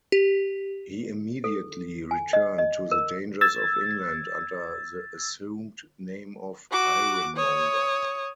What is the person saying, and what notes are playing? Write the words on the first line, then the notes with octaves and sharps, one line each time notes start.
He immediately returned to the dangers of England under the assumed name of Ironmonger.
G4
A4
G#5
D#5
D#5
A#4
E6 G#6 A6
F#4 D6
C#5 D#6